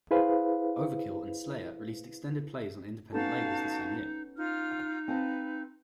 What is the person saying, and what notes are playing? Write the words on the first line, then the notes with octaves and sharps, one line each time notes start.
Overkill and Slayer released extended plays on independent labels the same year.
E4 G#4 B4 C5 F5
B3 C#4 D#4 F#4 A4 F5 A5
D#4 F4 F6
C4 B4 F5 A5